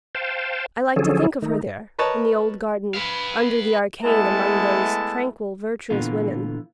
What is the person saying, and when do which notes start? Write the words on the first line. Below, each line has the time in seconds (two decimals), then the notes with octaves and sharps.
I like to think of her there, in the old garden, under the arcade, among those tranquil virtuous women.
0.15 C5 F5 G5 A5
0.96 D3 F3 F#3 C#4 G#4 A4
1.42 D#3 A3 D#4
1.99 A#4 B4 C#5 D#5 A5
2.94 B4 F5
4.04 G#3 A3 B3 E4 A5
5.90 A#2 D3 E3 B3 F4